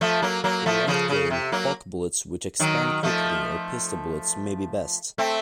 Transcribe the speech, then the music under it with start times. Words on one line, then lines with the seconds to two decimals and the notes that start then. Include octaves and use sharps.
For light game, Hawk bullets which expand quickly or pistol bullets may be best.
0.01 F3 A3
0.22 F#3 A#3
0.44 F#3 A#3
0.66 F3 A3
0.87 C#3 F3
1.09 C#3
1.30 C3
1.52 F#3 A#3
2.60 D#3 F#3
3.03 F3 A3
5.18 A3 C4